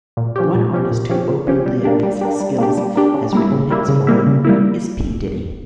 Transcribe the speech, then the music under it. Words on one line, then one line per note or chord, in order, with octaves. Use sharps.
One artist who openly admits Skillz has written hits for him is P. Diddy.
A#2
F3 C#4 G4
A#2
F3 C#4 G4
A#2
F3 C#4 G4
A#2
F3 C#4 G4
G3
A#3 D4 G4
G3
A#3 D4 G4
G3
A#3 D4 G4
G3
A#3 D4 G4
C#3
G3 A#3 E4
C#3
G3 A#3 E4
C#3
G3 A#3 E4
C#3
G3 A#3 E4